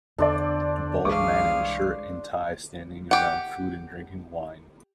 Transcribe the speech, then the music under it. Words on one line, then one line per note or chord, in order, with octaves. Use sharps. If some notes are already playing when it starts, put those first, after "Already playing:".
Bald man in a shirt an tie standing around food and drinking wine.
E2 D3 D4 A4 C5 D5
C2 E3 G#3 G#4 F5 C#6 D6
G4 F#5